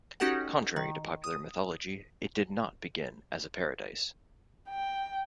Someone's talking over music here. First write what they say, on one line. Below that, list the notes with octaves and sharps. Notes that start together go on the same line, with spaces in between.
Contrary to popular mythology, it did not begin as a paradise.
C#4 D#4 F#4 G4 A4 F#5
D#3
D#6
G5